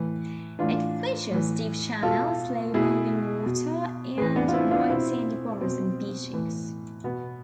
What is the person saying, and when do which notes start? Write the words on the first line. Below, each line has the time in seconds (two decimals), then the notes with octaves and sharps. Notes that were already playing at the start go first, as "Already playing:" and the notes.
It features deep channels, slow moving water, and white sandy bars and beaches.
Already playing: A2 E3
0.59 A2 E3 D4 F4
1.31 A2 E3
2.02 B2 F4 A4
2.74 B2 E4 G#4
3.46 B2
4.17 A2 G#4 B4
4.22 E3
4.36 B3 D4
4.48 F4
4.53 C4 E4
4.71 D4 F4
4.89 B2 C4 E4
5.61 B2 C4
6.33 A2 E3
7.04 B2 B3